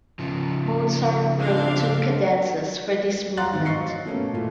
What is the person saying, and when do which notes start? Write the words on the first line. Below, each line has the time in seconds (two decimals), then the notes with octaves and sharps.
Mozart wrote two cadenzas for this movement.
0.19 C#3 F3
1.39 C4 D4 F5
3.37 F5 F#5 A#5 C6 F#6 A6
3.52 G#2 D#3 C4
3.65 D#5 F5 C#6 C7 C#7
3.81 F#3
4.06 B2 A3 A#3 C#4
4.34 A#2 E3 A3